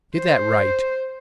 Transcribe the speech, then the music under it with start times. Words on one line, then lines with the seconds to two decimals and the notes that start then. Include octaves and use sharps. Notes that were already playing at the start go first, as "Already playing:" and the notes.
Get that right.
0.15 C5